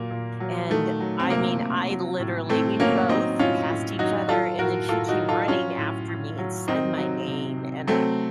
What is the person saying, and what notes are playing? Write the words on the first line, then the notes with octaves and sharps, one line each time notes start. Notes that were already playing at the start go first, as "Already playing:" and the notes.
And, I mean, I literally we both passed each other, and then she came running after me and said my name, and,
Already playing: A#2 F#3 A#3
A#2
F#3
D#3 A3
F#3
C4
C3 A#3
C3
F#3
A2
A2 A3 C4
F#3 A#3 C#4
F#3 C4 D#4
A2 C#4 F4
A2
F#3 D#4 F#4
F#3 F4 A4
A2 F#4 A#4
A2 F4 A4
D#4 F#4
F#3
F4 A4
F#3 C#4 F4
A2
A2
F#3
D#3 C4 D#4
F#3
C3
C3
F#3 A3 C4